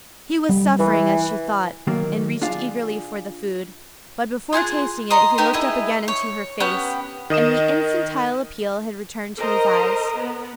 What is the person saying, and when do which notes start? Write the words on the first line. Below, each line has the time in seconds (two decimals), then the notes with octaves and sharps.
He was suffering, as she thought, and reached eagerly for the food, but before tasting it he looked up again into her face, and the infantile appeal had returned to his eyes.
0.49 G3
0.79 E3
1.87 D#3 F#3 A#3
2.42 D4 F4 G#4 F5
4.53 F4 G#4 C6 F#6
5.10 D#5 A#5 C6 D#6
5.38 B3 D#4 G4 A#4
5.53 E4 G#4 D#5
6.08 C#5
6.60 B3 C#4 G4 F#6
7.30 D#3 D#5 D#6 E7
9.37 A#4 C5 D#5 A#5
10.17 B3